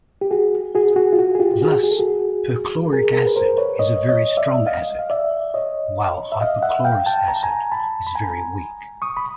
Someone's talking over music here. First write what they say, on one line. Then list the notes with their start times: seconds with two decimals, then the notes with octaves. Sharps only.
Thus perchloric acid is a very strong acid while hypochlorous acid is very weak.
0.21 G4
0.31 F#4 G#4
0.75 F#4 G#4
0.96 F#4 G#4
1.13 F4
1.19 F#4
1.35 G#4
1.39 F4 G4
1.54 G4
1.62 F#4 G#4
1.84 G#4
1.91 A4
1.99 F#4 G#4
2.93 G#4 A#4
3.14 G#4 A#4
3.27 B4
3.36 A#4 C5
3.58 B4 C#5
3.79 C#5 D#5
4.09 C#5 D#5
4.37 D5 E5
4.66 D#5 F5
4.99 F5
5.10 D5 E5
5.54 C#5 D#5
6.32 E5
6.41 D#5 F5
6.63 E5 F#5
6.85 F5 G5
7.06 G5 A5
7.28 A#5
7.36 A5
7.43 G#5 A#5
7.72 A5 B5
8.07 B5
8.15 G#5 A#5
9.02 C#6 D#6
9.17 B5